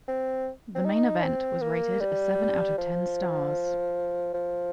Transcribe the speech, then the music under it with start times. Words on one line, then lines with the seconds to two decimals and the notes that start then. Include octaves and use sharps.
The main event was rated a seven out of ten stars.
0.08 C4
0.75 C4
0.85 D#4
1.24 C4
1.62 A#3
2.01 G3
2.78 F3
4.34 F3